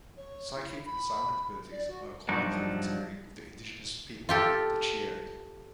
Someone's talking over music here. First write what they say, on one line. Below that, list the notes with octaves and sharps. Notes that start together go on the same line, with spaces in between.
Psychic and psionic abilities are acquired through interbreeding with the indigenous people, the "Chieri".
C#5
E4
B5
D5
F#4
G2 F3 F#3 D4 D#4
F4 G4 A4